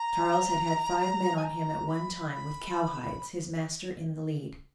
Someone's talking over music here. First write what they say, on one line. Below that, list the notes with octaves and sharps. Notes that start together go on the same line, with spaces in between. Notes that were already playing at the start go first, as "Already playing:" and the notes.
Charles had had five men on him at one time, with cowhides, his master in the lead.
Already playing: A#5
G#5
A#5
B5
B5